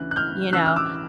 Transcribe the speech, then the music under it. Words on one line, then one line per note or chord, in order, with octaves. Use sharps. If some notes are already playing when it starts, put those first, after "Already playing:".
You know?
Already playing: D2 C#3 E3 F#6
F#6
F6 G6
D2 C#3 E3 E6 F#6
F6
D6 E6